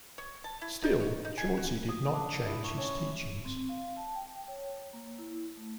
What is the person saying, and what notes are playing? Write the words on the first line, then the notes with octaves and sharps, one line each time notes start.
Still, Chauncy did not change his teachings.
C#5
A5
E4
D#4
C#5
D#4
G#5
F#4
D#6
D4
E4
C#6
C#4
C4
F5
A5
G5
C#5
A#3
E4
A3